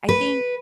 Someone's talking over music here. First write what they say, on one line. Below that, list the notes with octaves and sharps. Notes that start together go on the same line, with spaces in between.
I think
B4